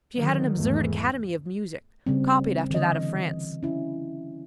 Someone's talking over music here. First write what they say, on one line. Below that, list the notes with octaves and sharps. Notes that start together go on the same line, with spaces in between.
She had an absurd academy of music, copied after that of France.
D3 D#3 F#3
E2 G#2 E3 G#3 A3
C#3 G3 C4
D3 E3 D#5
C#4 E4